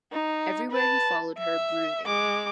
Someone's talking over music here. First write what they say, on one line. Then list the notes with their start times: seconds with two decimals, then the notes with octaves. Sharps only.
Everywhere he followed her, brooding.
0.12 D#4
0.71 B4 A5
1.38 E5
2.06 G#3 D6